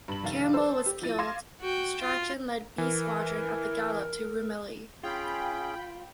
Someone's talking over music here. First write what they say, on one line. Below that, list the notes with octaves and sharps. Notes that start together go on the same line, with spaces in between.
Campbell was killed, Strachen led 'B' Squadron at the gallop to Rumilly.
G2 F#7
F1 D#3 F5 A6
A4 B4 C5 E6
G4
F3 E4 A6 D#7
F5 C6 D6 G#6 A#6 E7
F#4 G5
F4
E3 A#4
C#4 F4 G#4 G5 B5